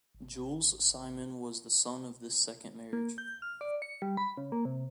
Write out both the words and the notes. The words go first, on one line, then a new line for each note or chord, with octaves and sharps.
Jules Simon was the son of this second marriage.
G#1
A#3
G6
F6
D5
C#7
G3
B5
C#3
A#3
C3